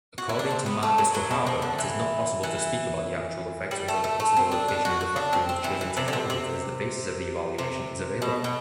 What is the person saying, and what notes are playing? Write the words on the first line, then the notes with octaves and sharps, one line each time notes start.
According to Margus Kohava, it is not possible to speak about the actual effects until the possible location of the factory and the chosen technology that is the basis of the evaluation is available.
F#4
E4
D4
C4
B3
A3
F#3
F#3
B2
C3
D3
E3
E3
G3
A3
A3
A3
C4
D4
D4
F#4
F#4
D4
C4
C4
E3
E3
C3
D3
C3
C3
C3
B2
B2